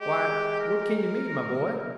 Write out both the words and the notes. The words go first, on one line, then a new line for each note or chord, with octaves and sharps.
"Why, what can you mean, my boy?"
G#3 G4
A#4